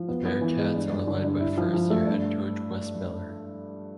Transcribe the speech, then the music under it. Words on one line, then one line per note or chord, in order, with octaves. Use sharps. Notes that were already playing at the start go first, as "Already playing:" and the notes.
The Bearcats are led by first year head coach Wes Miller.
Already playing: F3
B3
B3
E3
G#3
G2
G2
D3
G2
E4
F3
F3
A3
G2